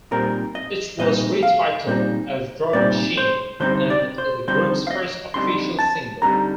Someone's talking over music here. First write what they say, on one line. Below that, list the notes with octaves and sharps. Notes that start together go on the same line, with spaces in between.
It was retitled as "Drug Machine" and is the group's first official single.
A#2 G3 C4 D#4 A#4
D#5
A#2 G3 C4 D#4 D#5
F5
A#2 G3 C4 D#4
A#2 G3 C4 D#4 D5
C5
D3 G3 C4 D#4 C5
D5
C5
D3 G3 C4 D#4 C5
F5
D#5
D3 G3 C4 D#4 C6
A5
D3 G3 C4 D#4 A#5